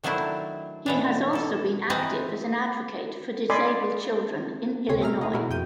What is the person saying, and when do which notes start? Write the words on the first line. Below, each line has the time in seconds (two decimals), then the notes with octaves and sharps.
He has also been active as an advocate for disabled children in Illinois.
0.04 D#3 F#3 A3 D4 E4 C5
0.86 B2 E3 D4
1.33 B2 A4
1.90 E3 C4 B4 D#5 G5 A#5
3.50 D5 D#5 G#5 B5 C6 D6
4.89 D2 C3 C4 C#5 G#5 C6
5.00 B2 A3 G#4 E5 A#5 F6
5.21 A3 G#4 D#5
5.33 B2 E4 F#4 G#4 A#4
5.50 F2 G5 G6 D#7